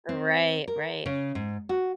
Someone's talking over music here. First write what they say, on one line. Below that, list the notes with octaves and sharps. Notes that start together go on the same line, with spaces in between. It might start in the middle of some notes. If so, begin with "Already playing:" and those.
Right, right.
C4
A#4
C#3
G#2
F#4